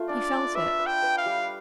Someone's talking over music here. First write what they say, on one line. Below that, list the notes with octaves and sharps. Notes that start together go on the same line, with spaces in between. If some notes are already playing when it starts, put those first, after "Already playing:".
He felt it.
Already playing: A3 F4
D4 D5
D4
B4 E5
B4
G5
B4
F5
G3